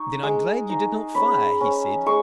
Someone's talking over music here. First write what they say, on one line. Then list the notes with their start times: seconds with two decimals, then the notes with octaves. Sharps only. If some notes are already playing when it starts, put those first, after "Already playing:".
"Then I'm glad you did not fire!" he said.
Already playing: D#4 C#6
0.23 G#3
0.69 D#4
1.15 C#4 B5
1.61 C#4
2.06 G#3 C#6